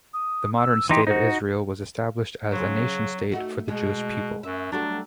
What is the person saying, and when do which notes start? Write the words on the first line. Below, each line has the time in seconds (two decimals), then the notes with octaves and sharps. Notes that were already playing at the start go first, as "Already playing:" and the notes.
The modern State of Israel was established as a nation-state for the Jewish people.
0.14 D#6
0.57 E6
0.89 E3 D#4 G4 C6
1.07 D#4 F#4 C5
2.52 C#3 F#3 C5
3.32 A3 D#4 F#4
3.68 B2 G#3
4.43 F#2 E5
4.72 F#3 G3 A3 D4